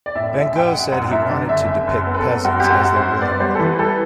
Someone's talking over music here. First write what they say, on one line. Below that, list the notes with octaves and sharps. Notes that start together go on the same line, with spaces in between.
Van Gogh said he wanted to depict peasants as they really were.
D5
A2 E5
A1
E5
A1 G5
F#5
A1
F#2 F#5
F#2 E5
D3 D5
F#1 E5
F#1 E5
F#2
B3
B4
A4
F#2
F#2 F#4
F#2 G4
F#4
F#2
C5
F#2
B3 D5
G3 C5
A4
E3 B4
G3 A4